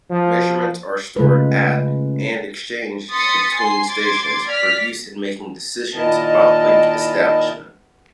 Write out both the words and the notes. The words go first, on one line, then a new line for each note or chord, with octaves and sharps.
Measurements are stored at-and exchanged between-stations, for use in making decisions about link establishment.
F3
C#3 G#3 A3 F4 B4
C6 D#6 A6 B6 C#7
G#5 C6 C7
C6 D6 G#6 A6
D5 F6 B6
A#2 D#3 E4 A#4 D#5 A5